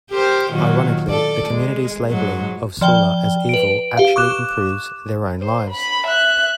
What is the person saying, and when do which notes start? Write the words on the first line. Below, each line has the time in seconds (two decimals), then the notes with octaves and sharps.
Ironically, the community's labeling of Sula as evil actually improves their own lives.
0.10 G4 A#4 C5
0.52 A#2 D#3 F#3
1.09 A4 D5
1.48 G#3
2.09 G#2 F#3
2.81 F3 D5 G5 G7
3.49 B4 D7
3.97 G4 F5
4.16 C#6 D6 F#6 E7
5.41 C5
5.70 B5
6.06 E5 F#6